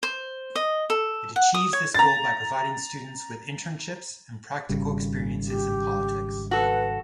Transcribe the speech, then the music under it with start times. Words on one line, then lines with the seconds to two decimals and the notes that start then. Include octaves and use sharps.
It achieves this goal by providing students with internships and practical experiences in politics.
0.03 C5
0.55 D#5
0.90 A4
1.36 F#5
1.54 D#6
1.73 C#5
1.94 A#5 A6
4.69 G#1 C#3 G3
5.48 G4
6.51 F#4 A4 B4